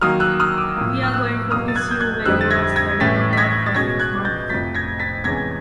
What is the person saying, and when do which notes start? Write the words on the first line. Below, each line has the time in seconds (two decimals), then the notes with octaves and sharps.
We are going to miss you when you are studying abroad for six months.
0.01 D#3 F#3 A#3 D#6 F6
0.20 E6 F#6
0.40 D#6 F6
0.58 D6 E6
0.77 A2 F3 A#3
1.03 F6
1.13 E6 F#6
1.51 E2 B2 F#3 A#3 D#6 F6
1.68 A6
1.76 F#6 G#6
1.91 G6
2.01 F#6 G#6
2.25 F2 D3 G3 C4 D#4 E6 F#6
2.41 A6
2.50 G#6 A#6
2.76 G#6 A#6
3.00 A2 E3 A3 C#4 A6 B6
3.33 B6
3.37 G#6 A#6
3.66 A6
3.75 B2 G#3 C#4 G#6 A#6
3.99 F#6 G#6
4.25 G6 A6
4.50 F2 C3 F3 A3 A6 B6
4.75 G#6 A#6
4.99 A6 B6
5.24 E2 C3 E3 G#3 C#4 G#6 A#6